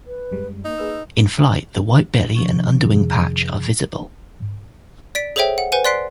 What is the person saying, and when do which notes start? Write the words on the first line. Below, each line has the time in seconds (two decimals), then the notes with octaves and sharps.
In flight the white belly and underwing patch are visible.
0.07 B4
0.31 F#2 G3 G#3
0.64 A#3 D#4
0.78 A#3 G#4 B4 E6
2.35 C3 D#3 F3 D4 C#6
2.82 F2 C3 G#4
5.15 D5 B6 D7
5.36 G#4 A4 C5 C#5 E5 G5
5.58 F#5
5.72 B4 C5 F#5 G#5 D#7
5.85 D5 C6 F#6 B6 C7 D7